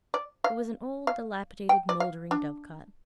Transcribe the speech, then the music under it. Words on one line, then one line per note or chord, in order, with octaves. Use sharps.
It was an old, dilapidated, mouldering dovecot.
D5
F5
F5
G5
D5
F5
D4